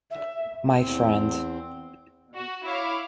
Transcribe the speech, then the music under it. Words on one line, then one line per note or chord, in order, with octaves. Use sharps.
My friend.
E5
E2 C4
F#4
E4 C#5 F5 D6